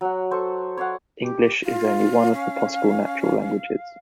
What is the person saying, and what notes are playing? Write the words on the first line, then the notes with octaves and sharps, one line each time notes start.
English is only one of the possible natural languages.
F#3 F#5
A4 C5 C#6
C#5 D5 F5 F#5
G4
F4 F5
C#4